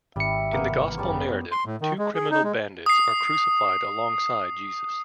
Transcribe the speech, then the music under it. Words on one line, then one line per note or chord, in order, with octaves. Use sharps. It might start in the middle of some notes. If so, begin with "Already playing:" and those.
In the Gospel narrative, two criminal bandits are crucified alongside Jesus.
G#1 G3 E5 C#7
G2 C3 E3 A#3 B3
F#2 C#3 G3 B3 A5 C#6
C6
A2
D#3
G#3
G#4
D#4
G#3
D#6 C7